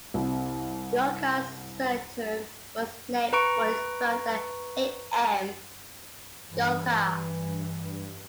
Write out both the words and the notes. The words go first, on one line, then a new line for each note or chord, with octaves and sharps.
Lyulka-Saturn was named for its founder, A. M. Lyulka.
C2 C3
B4 A#5 C#6 D7
G2 E3